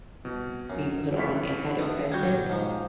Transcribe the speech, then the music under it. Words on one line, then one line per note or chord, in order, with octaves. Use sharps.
be put on antidepressants,
C2 B2
F#2
F2 A2 B6
D#3 A3 B3
G2 A#2 C#3 G3 F#4 C#6 G6 G#6
G#2 F3